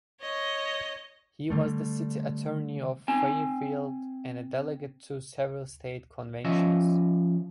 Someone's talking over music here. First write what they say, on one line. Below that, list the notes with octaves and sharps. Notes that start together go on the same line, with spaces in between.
He was the city attorney of Fairfield and a delegate to several State conventions.
C#5 D#5
D3 G3 A3
C4 G#5
F3 C#4 D#5 E5